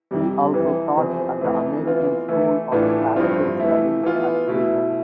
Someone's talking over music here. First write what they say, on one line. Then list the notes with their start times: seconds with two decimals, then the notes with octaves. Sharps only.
He also taught at the American School of Classical Studies at Athens.
0.11 F2 C3 G3
0.54 F2 C3 E3
0.97 E2 C3 F3 C4
1.41 F2 E3 A3
1.85 E3 B3 F4
2.28 E3 A3 E4
2.72 A2 E3 A3 D4 F4
3.16 G2 F3 C4 F4
3.60 E3 A3 E4
4.03 E3 B3 F4
4.47 B2 A3 E4